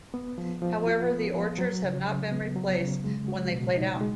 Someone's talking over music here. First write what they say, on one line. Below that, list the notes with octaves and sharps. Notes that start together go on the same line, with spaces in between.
However, the orchards have not been replaced when they played out.
B3
F3
F3
F4
B3
F3
F#3
C#3
C#3
B3
F#3
C#3
G#3
F#4
B2
D#4
G#3